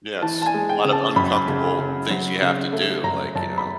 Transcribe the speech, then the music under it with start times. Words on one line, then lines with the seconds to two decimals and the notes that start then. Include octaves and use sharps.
Yeah, it's a lot of uncomfortable things you have to do, like, you know
0.22 E3 A5
0.42 A5
0.46 G#5
0.54 G#3
0.69 G5
0.85 C#3
0.92 A5
1.16 F#2 B5
1.48 C#3
1.79 C#3
2.10 F#3
2.42 C#3
2.73 A3
3.04 F#2 A#5
3.35 F#2 A5
3.58 B5